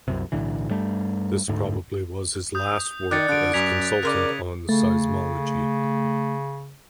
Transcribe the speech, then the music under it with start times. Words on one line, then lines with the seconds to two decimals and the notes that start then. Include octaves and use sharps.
This probably was his last work as consultant on seismology.
0.08 C2 F#2 C3
0.32 B1 A2 D3 E3
0.70 G2 G3 A3
1.48 D2 G#2 D3
2.55 D#6 G6
3.11 D#3 D5 F#6 A6 C#7
3.29 D3 F#6 D7
3.53 F#2 G#6 B6 F7
4.03 C#3 A#4 C5 D5
4.69 C#3 A3